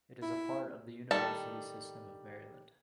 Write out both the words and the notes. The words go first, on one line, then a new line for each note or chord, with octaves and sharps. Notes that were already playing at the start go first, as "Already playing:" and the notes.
It is a part of the University System of Maryland.
E4
D#3 G3 A4 A5